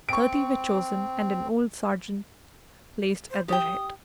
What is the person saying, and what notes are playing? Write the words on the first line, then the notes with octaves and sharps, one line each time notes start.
Thirty were chosen, and an old sergeant placed at their head.
C4 C#6 D7
C5
G4 G5 D#6